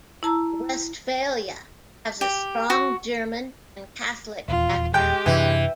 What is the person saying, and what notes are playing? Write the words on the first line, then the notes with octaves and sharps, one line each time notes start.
Westphalia has a strong German and Catholic background.
E4 A5 A#5 E6
G4
F#4
D#1 E2 F4
G#3 G4 G5
F#2 C3 E3 D4